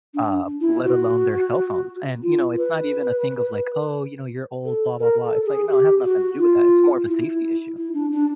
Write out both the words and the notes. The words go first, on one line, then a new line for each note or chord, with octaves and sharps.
uh, let alone their cell phones. And, you know, it's not even a thing of, like, "Oh," you know, "You're old, blah blah blah," it's like, no, it has nothing to do with that, it's more of a safety issue,
D4
E4
F#4
F4
B4
A4
A#4
A4
G#4
G4
F#4
F4
E4
E4
D4
D4